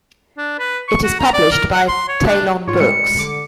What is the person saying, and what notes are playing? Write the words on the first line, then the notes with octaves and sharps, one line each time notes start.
It is published by TalonBooks.
D4
B4
C#6
F#4
A#5
D5
A#4
F#5
C6
C#5
D4
G#2 F4 C#5
G3 G#3 C#7
D3 D6